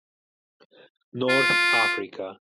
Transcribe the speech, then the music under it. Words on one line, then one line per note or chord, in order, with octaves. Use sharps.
North Africa.
F4